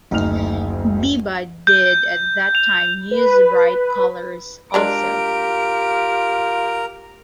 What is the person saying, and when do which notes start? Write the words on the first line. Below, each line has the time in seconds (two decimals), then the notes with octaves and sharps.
Biba did at that time use bright colours also.
0.11 F#1 D2 D#4 F6 F7
1.67 G6
2.55 F7
3.11 B4
4.74 G#3 D4 F4 G4 A#4 A#5 D7